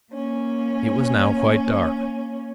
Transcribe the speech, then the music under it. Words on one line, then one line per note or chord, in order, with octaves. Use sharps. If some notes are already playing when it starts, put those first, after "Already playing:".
It was now quite dark.
A#3 C#4